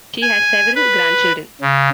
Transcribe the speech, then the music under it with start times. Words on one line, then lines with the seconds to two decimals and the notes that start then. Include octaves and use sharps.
She has several grandchildren.
0.22 G#5
0.75 B4
1.61 C#3